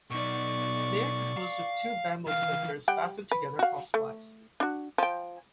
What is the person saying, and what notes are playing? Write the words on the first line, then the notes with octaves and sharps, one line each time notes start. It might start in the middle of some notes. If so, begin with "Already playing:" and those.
They are composed of two bamboo splinters fastened together crosswise.
B2 D#4 D5 C#6
F5
D#3 E3 F5
G3 F#5 G5
B4
F#4 F5
A3
D4 F#4
F3 G5